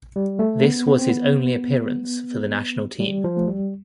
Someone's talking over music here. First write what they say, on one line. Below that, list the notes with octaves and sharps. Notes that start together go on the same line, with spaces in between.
This was his only appearance for the national team.
G3
A3
B3
B3
C4
B3
G3
F3
A3
G3